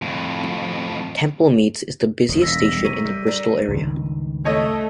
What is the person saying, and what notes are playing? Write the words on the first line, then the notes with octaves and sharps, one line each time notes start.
Temple Meads is the busiest station in the Bristol area.
F2 A2
E1 B2 D#5
G#3 F4 E6 A#6 B6
D#3 G3
C3 A#4 C#5 D#7
G3
D4 A#4
C#2 G2 D#3
A3 C#5 D#5